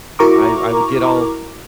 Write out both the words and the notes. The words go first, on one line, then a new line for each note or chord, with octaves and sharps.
I I would get all
E4 F#4 A#4 A#5 C#6 D6